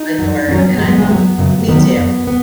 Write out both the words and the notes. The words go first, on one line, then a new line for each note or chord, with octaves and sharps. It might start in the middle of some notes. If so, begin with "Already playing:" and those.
a dork, and I love Me, too.
Already playing: D#4
F#2 F#3
F#2 F#3 C#4
C#4
B3
G#2 F#3 G#3
B3
G#3
F#2 F#3 B3
F#2 C#3 F#3
D#2 D#3 F#3 B3
F#2 F#3
B3